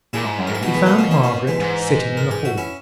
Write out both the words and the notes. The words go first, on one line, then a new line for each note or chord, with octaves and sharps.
He found Margaret sitting in the hall.
A#2 E4 G#4
G#2
F#2
G#2 A#4
G#4
B2 D#4 F#4
E3 G#3
F#3 A#3
A#3 C#4
C#4 E4
A#3 C#4
E3 G#3
G#2
A#4
G#4
F#4
C#4 E4